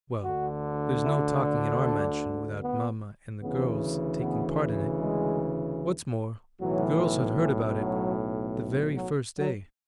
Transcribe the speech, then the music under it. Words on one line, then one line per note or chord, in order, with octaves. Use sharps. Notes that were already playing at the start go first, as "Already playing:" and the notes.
Well, there's no talking in our mansion without mamma and the girls taking part in it. What's more, the girls had heard about it the very first day.
D2 D3 F#4
E4
D4
D4
B3
D2 C#3 E3 B3
B3
G#3
B1 A2 E3 F#3
E3
F#3
F#3
F#3